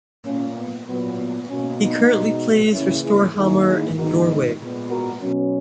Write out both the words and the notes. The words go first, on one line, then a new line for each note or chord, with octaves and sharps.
He currently plays for Storhamar in Norway.
A#2 A#3 C#4
B3
A#2 F#3 B3
B3
B2 A#3 C#4
B3 D#4
B2 G#3 B3
C#3 E3 A#3 C#4 E4
E4 G#4
D#3 A#3 E4 G#4
E4 G#4
D#3 G#3 B3 F#4 A#4
A#2 G#3 B3
F#4 A#4
B2 F#3 B3 C#4